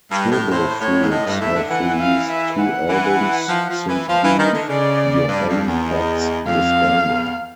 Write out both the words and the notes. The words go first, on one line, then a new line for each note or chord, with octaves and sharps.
Turbo Fruits have released two albums since Be Your Own Pet's disbanding.
G2
A2
A2 C5
A2 C#5
G#2
A2 D#5
G2
A2 E5
D3
E3 F#5
F5
E5
F#5
E3
F3
F3
E3
F3 F5
E3
D#3 D#5
D3
C#3 D5
G2
F2
E2
D#5
F2 F5
E2